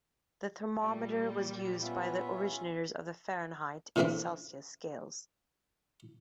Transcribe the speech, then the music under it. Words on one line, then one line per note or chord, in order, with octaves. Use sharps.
The thermometer was used by the originators of the Fahrenheit and Celsius scales.
A#2 G3
B3 C#4 F4 E5
A2 C#3 E3 A#3 C4 D4